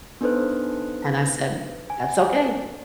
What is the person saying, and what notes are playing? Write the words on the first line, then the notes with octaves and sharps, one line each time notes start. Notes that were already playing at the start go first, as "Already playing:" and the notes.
and I said, "That's okay"
B3 D4 D#4 A4 B4 C5
G#5